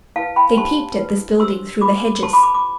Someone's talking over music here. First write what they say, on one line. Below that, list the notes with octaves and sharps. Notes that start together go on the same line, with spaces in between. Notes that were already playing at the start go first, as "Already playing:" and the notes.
They peeped at this building through the hedges.
E4 B4 F5 A5
G5 B5
D4 G4 C5 A5 C6
E4 B4
D4 G4 C5 C6 E6
E4 B4 B5 D6
F4 A4 C5 A5 C6
B5 D6
B5 D6
B5 D6